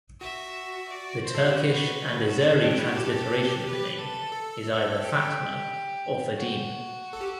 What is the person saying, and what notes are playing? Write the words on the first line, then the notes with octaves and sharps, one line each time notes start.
The Turkish and Azeri transliteration of the name is either "Fatma" or "Fadime".
F#4 E5
D5
C5
A4
G4
F#4 B4
A4
C4 G4
D4
E4
F#4
G4 A4
B4
A4
A4
G4
F#4
A4
G4